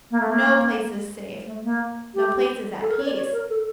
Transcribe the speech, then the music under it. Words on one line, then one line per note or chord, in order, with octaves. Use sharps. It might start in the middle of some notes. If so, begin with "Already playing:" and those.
No place is safe--no place is at peace.
A#3
A3
A#3
A3
A#3
G4
A4
A#4
C#5
D5
C#5
A#4
A4